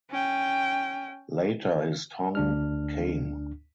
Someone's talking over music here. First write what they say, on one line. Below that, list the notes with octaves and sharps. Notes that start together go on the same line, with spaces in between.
Later his tongue came.
C#4 G5
D2 D4 F6